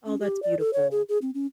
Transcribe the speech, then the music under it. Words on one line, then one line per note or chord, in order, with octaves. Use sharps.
Oh, that's beautiful.
C#4
G4
D5
A4
C#5
G#4
G#4
C4
C#4